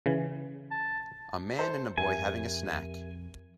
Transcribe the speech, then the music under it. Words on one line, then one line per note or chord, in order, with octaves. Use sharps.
A man and a boy having a snack.
C#3 E3
A5
A4 C5
F2 G4 A#4 E5 G#5